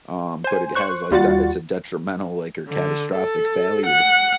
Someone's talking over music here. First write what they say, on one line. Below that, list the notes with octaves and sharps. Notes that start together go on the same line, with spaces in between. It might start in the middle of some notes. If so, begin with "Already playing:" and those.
um, but it has, like, that it's a detrimental, like, or catastrophic failure,
C5 G#5
C5 C#6 F#6
D#2 G3 F4 F#4 F#5 A6
D3
A4
F#5